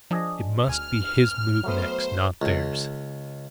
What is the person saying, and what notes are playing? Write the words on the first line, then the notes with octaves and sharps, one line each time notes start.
It must be his move next--not theirs!
F3 D4 G#4 D#5
D2 G#5 F6
F#3 A3 B3 C5
C#2